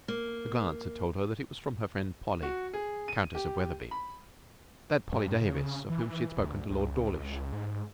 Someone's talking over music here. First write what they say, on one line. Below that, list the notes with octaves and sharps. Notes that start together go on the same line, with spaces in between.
A glance had told her that it was from her friend Polly, Countess of Wetherby: that Polly Davis of whom she had spoken to Lord Dawlish.
A#3
F#4
G#4
D#7
G4
B5
G2
C#3
E3
D2
C#2
C#2
G#2